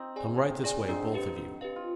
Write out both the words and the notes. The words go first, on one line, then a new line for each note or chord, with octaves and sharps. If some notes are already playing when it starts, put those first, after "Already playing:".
Come right this way, both of you.
Already playing: C4 D#4
G#4 D5 G#5
D4
G#4 D5 G#5
C4 D4 D#4
G4 B4 F5
D4
G4 B4 F5
F4